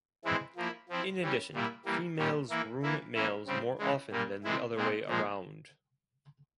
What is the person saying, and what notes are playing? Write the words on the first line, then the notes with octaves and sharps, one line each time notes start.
In addition, females groom males more often than the other way around.
E3 G#3 C4 E4
F3 A#3 E4
F3 C4 E4
E3 G3 C#4
A#2 G3 A#3 E4
E3 G3 A#3
A#2 G3 C#4
E3 A#3 E4
E3 A#3 E4
E3 A#3 C#4 E4
C#3 G3 C4
C#3 E3 G#3
A#2 G3 A#3
C3 E3 G#3 E4
A#2 G#3 C4
A#2 F3 G#3